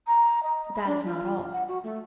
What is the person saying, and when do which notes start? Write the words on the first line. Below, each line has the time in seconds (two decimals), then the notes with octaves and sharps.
But that is not all.
0.07 A#5
0.43 D#5
0.73 B5
0.86 D4
1.05 F4
1.52 F#5
1.68 F#4
1.83 A3